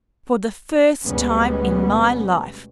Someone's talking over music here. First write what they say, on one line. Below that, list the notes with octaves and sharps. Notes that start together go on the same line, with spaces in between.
"For the first time in my life!"
D2 B2 G3 G#3 B3 C#4